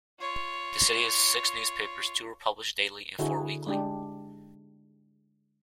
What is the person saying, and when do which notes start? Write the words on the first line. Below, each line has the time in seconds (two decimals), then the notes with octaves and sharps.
The city has six newspapers; two are published daily and four weekly.
0.20 F4 C#5
3.19 D3 E4 F#4 G#4
3.67 G#3 D4 G4